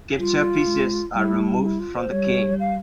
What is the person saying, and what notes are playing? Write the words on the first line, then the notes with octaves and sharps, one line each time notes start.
Captured pieces are removed from the game.
G3 F4
G#3
G3 E4
E4
F4
C5
G3 C#5
F5